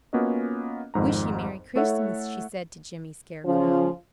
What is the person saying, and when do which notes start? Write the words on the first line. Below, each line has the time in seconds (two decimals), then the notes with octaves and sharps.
"Wish you Merry Christmas!" she said to Jimmy Scarecrow.
0.13 A#3 B3 C#4 F4 F#4 D#5
0.94 G#1 F2 G#2 A#5
1.76 A3 E4 A4 C#5 E5 F#5
3.45 C#3 F3 C#4 F4